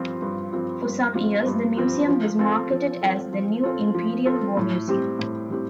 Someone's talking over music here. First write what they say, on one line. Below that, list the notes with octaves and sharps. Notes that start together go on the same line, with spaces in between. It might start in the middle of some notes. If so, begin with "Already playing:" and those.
For some years the museum was marketed as 'The "new" Imperial War Museum'.
Already playing: G2 F3 C4 F4
G2
F3 C4 F4
G2
F3 C4 F4
G2
F3 C4 F4
F3
C4 F4 A4
F3
C4 F4 A4
F3
C4 F4 A4
F3
C4 F4 A4
A2
G3 C4 G4
A2
G3 C4 G4